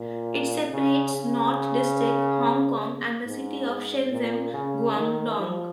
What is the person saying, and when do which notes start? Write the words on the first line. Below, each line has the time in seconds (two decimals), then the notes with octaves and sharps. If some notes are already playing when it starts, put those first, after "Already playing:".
It separates North District, Hong Kong and the city of Shenzhen, Guangdong.
Already playing: A#2
0.71 C#3
1.14 C#3
3.26 G#2
4.11 A#2
4.53 C#3
4.96 D#3
5.38 F3